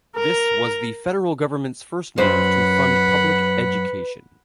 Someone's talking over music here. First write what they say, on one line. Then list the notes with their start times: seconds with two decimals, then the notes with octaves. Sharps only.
This was the federal government's first move to fund public education.
0.16 A#4
2.18 F#2 B4 C5 F#5 B5